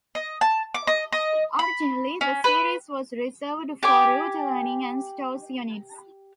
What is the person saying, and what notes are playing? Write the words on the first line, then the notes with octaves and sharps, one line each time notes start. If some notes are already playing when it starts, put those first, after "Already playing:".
Originally the series was reserved for Route Learning and Stores units.
D#5
A5
D6
D#5
D#5
B5
C#4
B4
G4 G#5 D6